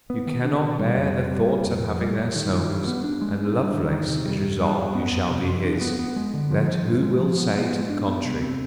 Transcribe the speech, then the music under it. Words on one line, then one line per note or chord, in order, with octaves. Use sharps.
You cannot bear the thoughts of having their Solmes: and Lovelace is resolved you shall be his, let who will say to the contrary.
B3
D#3
D4
B2
G3
F2
C3
G3
C3
F2
F2
G3
G3
D#3
F3
G2
B3
D4
G#3
D4
G3
D#3
D#3
C3
G3
G#2
G2
G2
B3
F2
C3
F3
D4
B3
B3
G#3
D3
F3
D#3
G2
G#3
F3
B3
B3
G#3
D4
B3
C3
C4